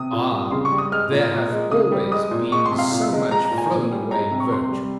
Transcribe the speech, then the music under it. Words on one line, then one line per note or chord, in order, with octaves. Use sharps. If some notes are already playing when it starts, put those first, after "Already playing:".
Ah, there hath always been so much flown-away virtue!
Already playing: C3 D#6
A#2
G3
C#3 C6
C#6
G3
D#6
G#3 F6
A#2
A#2
G#3
C#3 D#6
G3
G#3 D#6
A#2
G#3 C#6
C6
C3
F5
A#2
G#3
G#3 A#5
A#5
A#2
G#5
A#2
G3
G#3 A#5
C3
C#6
C3 C6
G3